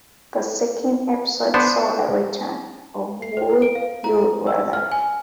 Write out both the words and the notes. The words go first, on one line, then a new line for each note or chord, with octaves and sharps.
The second episode saw the return of Would You Rather?
B3 D4 C5
C7
C5
D7
F5
A#5
E6
F6
G#5